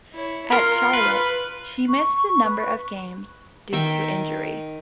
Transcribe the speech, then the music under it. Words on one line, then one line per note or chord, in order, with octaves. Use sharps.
At Charlotte, she missed a number of games due to injury.
E4 C#5
F4 A#4 C6 C#6
B4
C#6
B4
D#3 E5 G5